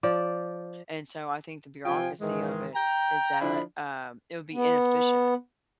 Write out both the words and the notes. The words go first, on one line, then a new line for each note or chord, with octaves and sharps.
and so I think the bureaucracy of it is that, um, it would be inefficient,
F3 D5
C3 F3 F4 G5 G#5
G#2 D#3 E3 G#3
G5 A#5
D3 F3 D4 E4 B5
B3